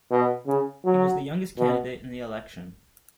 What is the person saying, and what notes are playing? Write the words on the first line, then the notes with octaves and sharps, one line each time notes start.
He was the youngest candidate in the election.
B2
C#3
F#3
B2